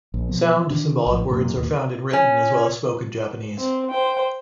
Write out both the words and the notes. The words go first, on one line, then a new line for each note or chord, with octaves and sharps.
Sound symbolic words are found in written as well as spoken Japanese.
A#1
B2 F3 B3
D#3 D4
A#1 A2 F3
F#2 A#2 E3
D#2 A#2
C#4
C4
C5 G5